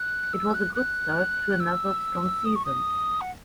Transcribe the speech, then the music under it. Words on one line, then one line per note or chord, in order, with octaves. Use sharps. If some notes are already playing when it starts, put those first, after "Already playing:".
It was a good start to another strong season.
Already playing: F#6
E6
F#6
F#6
E6
D#6
C#6
D#6
F#5